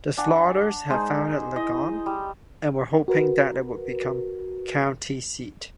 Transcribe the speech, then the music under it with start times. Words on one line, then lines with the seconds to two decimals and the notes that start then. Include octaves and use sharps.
The Slaughters had founded Ligon and were hoping that it would become county seat.
0.18 D4 F#5 G#5
0.90 G#3 D#4 G#4 C5
1.56 E4 D#5
2.06 G3
3.08 F#4 A#4 B4